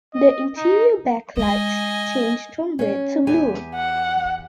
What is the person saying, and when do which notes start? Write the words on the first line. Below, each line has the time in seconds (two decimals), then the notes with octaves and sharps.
The interior backlights changed from red to blue.
0.14 D#5
0.57 D#4
1.37 G#3 D#5 G#5
2.79 C#4 C#5
3.27 E2 G4 G#5
3.75 F#5